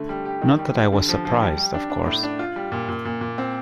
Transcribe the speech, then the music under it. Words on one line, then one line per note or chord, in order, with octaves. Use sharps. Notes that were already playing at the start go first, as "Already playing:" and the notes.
Not that I was surprised, of course.
Already playing: D3 A3
G3
G4
D#3
G3
G3
D3
F3
F3
G3
G3
D4
D4
A2
D4
F4
G3
A#2
A#2
A#2
A#2
C4